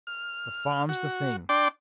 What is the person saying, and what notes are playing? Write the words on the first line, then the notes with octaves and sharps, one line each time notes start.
The farm's the thing.
F6
F#4
D4 D5 G5 C6 D6